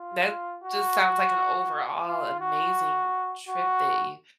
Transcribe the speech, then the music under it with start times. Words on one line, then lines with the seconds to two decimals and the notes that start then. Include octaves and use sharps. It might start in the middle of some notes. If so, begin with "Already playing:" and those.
that just sounds like an overall amazing trip that you
Already playing: F4
0.64 F#4
2.06 F4
2.41 F#4
3.48 F#4